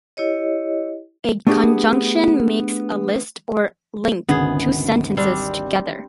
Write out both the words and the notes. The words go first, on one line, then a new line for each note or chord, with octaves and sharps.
A conjunction makes a list or link two sentences together.
E4 G4 C#5 D#5
A3 B3 D4 G4 G#4
G#1 D2 C#3 B3 G#4
G3 C4 D4